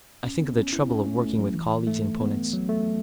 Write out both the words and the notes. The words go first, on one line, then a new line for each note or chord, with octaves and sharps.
I think of the trouble of working with colleagues and opponents.
C#4
B3
C#4
E4
C#4
A3
A3
F#3
E3
A3
B3
F#3
A3